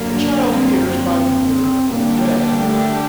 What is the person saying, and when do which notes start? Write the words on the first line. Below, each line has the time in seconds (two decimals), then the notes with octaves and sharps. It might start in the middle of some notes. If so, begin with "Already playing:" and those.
The child hears by the third or fourth day.
Already playing: F#2 D3 F#3 A#3
0.15 D4
0.51 C4
0.84 C4
1.88 D3 G3 A#3 D4 G4
2.57 A3